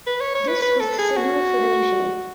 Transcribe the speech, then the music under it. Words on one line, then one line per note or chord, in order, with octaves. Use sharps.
This was the signal for the mutiny.
B4
C#5
C#5
B4
B4
A4
G#4
F#4